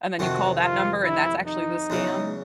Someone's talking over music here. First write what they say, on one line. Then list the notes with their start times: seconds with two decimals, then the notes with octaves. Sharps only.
and then you call that number and that's actually the scam?
0.19 F2 C3 D#3 F#4
0.62 F4
1.04 E4
1.47 D#4
1.90 E2 C#3 F#3